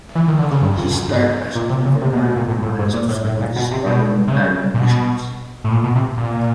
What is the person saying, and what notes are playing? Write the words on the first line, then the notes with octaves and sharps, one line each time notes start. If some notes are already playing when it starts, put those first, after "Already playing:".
He starts asking for money from Alice to support his parliamentary ambitions.
E3
D#3
D3
C#3
G2
F2
F#2
G#2
A#2
C3
C#3
C3
B2
B2
A#2
A2
A2
G#2
A#2
A2
A2
A#2
B2
C3
B2
C3
C#3
A#2
B2
A2
A#2
B2
C3
A#2